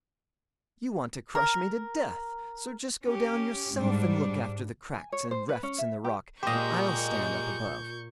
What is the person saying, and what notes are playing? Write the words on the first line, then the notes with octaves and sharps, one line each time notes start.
You want to crush me to death; so just go down yourself and look after the cracks and refts in the rock, and I'll stand up above.'
A#4
C#4 G4
G#2 G3 D4
G#5
C#5
C5
B4
C#4
E5
G4
A#2 G#3 A#3 G4 C5 D#5 C#6 G6